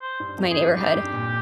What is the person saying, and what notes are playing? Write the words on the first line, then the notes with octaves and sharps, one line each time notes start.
my neighborhood,
C5
G2
F2
G#4
G2
G2 G4
G2
A#2